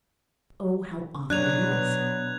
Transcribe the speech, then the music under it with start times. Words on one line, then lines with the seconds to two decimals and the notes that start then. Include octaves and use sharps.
Oh, how awful it is!
1.30 B2 F#3 B3 D4 F#6 G#6 F7